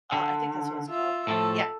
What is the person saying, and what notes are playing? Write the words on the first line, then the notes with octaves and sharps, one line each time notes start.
Uh, I think that's what it's called. Yeah.
D3
F4 E5
A2 F3 A4